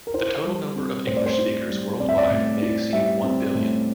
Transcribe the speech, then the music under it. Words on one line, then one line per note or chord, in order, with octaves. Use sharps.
The total number of English speakers worldwide may exceed one billion.
A#4
E4 C5
G3
C4
A2 C5
D5
C5
E4
G3
C4 D5
E5
D5
A2
E4
G3 E5
C4
A2